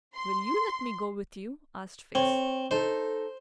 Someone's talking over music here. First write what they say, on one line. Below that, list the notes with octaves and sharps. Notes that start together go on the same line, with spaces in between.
"Will you let me go with you?" asked Fix.
C6
C4 C#5
D#4 A4 C5